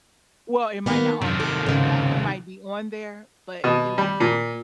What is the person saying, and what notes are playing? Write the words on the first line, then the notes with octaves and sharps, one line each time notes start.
Well it might not offer cash back it might be on there, but it w
D#3 A#3 B3
F#2 C3 D#3
A4
G#2 C#3
B2
G3
A#2